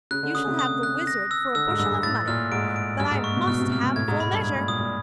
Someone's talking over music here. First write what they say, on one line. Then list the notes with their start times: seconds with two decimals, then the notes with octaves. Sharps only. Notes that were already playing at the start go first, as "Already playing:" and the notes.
You shall have the wizard for a bushel of money, but I must have full measure.'
0.11 C#3 F#6
0.23 D3
0.35 C#3 D#6
0.47 C3
0.59 D#6
0.83 F#6
1.07 A#6
1.31 E6
1.55 D3 E6
1.68 G#2
1.79 G2 E6
1.92 G#2
2.03 A2 A6
2.28 A#2 F6
2.52 G#2 D7
2.76 D7
3.00 G2 F6
3.11 G#2
3.24 C#6
3.36 B2
3.48 B2 F6
3.60 C3
3.71 C3 F6
3.83 B2
3.96 A2 G#6
4.08 G#2
4.20 G#2 B5
4.33 G2
4.44 G#2 G#6
4.57 A#2
4.68 A#2 D#6
4.80 A#2